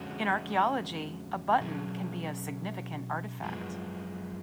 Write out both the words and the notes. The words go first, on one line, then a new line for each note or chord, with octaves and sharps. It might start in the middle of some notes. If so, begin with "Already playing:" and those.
In archaeology, a button can be a significant artifact.
Already playing: F2 D3 G#3 C#4 F#4
B2 F#3 C#4 G#4
F#2 F3 G#3 B3